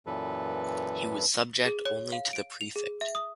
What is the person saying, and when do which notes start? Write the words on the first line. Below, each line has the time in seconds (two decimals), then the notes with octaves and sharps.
He was subject only to the prefect.
0.06 F#2 A#2 E3 A4 B4
1.66 G#4
1.85 C#5
2.12 F5
2.33 D7
2.61 F7
2.76 G#4
3.01 E5
3.15 D#6